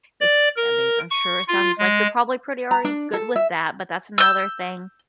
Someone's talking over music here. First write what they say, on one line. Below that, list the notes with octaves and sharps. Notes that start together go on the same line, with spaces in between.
It's I mean, I'm sure it sounds like you're probably pretty already good with that, but that's another thing.
D5
A#4
C#6
F4
G#3
A#5
D4
A4
E5
E6 G6